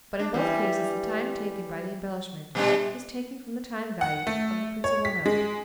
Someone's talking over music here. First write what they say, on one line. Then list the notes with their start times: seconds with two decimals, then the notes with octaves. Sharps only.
But in both cases the time taken by the embellishment is taken from the time-value of the principal note.
0.19 D4
0.34 E3 G3
2.55 A#2 G3 D4
4.01 F#5
4.27 A3
4.84 C#5
5.05 B6
5.26 G#3